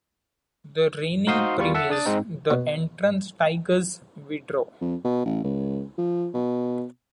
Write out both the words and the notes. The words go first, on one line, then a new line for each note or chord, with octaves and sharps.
The reigning premiers, The Entrance Tigers withdrew.
D#4 F#4 C5 F5 C6 D#6
E2 G3 F4 C#6
A4 E5 F#5 A5
D4 D#6 A6
G#2 G#3 C4 D#4
B2
F2
B2
A1
C#2
F3
B2